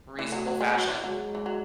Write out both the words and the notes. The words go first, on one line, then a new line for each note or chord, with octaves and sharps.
reasonable fashion,
E3 A3
F#3
F#3
G#3
F#3
E3
F#3 G#3
E3
F#3